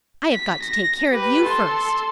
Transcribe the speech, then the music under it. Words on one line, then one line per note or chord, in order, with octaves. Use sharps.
I have got to take care of you, first.
B6
A#6
G4 B4
A4 C6